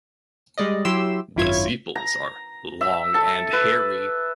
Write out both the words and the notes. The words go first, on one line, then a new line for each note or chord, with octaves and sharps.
The sepals are long and hairy.
G3 G#3 D5 D#5
F#3 E4 G4 C6 E6 E7
G#1 F#2 E4 F4 C#5 G#6
A#5
E5
A4
B4